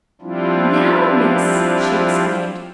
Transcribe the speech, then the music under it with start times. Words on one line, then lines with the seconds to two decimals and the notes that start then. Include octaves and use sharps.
"Now, Miss!" she exclaimed.
0.21 F3 G3 C4 D4 E4 F4